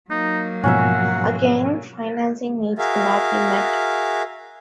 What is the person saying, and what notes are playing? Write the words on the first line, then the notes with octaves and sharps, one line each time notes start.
Again, financing needs could not be met.
F#3 A#3 D#4
G#2 B2 F3 C#4 A#4 E5 F#5
F#4 G#4 A#4 E5 F5